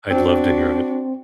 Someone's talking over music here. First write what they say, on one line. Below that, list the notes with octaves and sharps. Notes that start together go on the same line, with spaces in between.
I'd love to hear it.
C4 D4 F#4